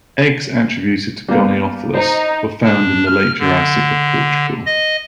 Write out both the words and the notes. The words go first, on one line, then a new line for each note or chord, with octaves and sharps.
Eggs attributed to "Goniopholis" were found in the Late Jurassic of Portugal.
G3 A#3 B3
D#4 C5
D4
F6
D3
D#5